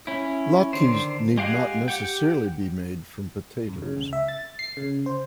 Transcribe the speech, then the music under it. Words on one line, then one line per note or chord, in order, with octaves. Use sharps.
Latkes need not necessarily be made from potatoes.
C#4 E4
D3 D#3 C5
G#3 G4 F5 F#5 G#5
G4 F#5 G5
F#2
C#3
C#2
E5
A6
C7
C#3
C5